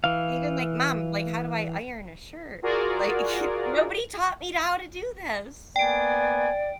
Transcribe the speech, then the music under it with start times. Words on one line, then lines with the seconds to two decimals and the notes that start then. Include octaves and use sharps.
even like, "Mom, like, how do I iron a shirt?" Like, nobody taught me to how to do this.
0.04 E3 F5
2.62 F4 F#4 G#4 A#4 D5
5.76 A#3 B3 D5 G5 G#5 D7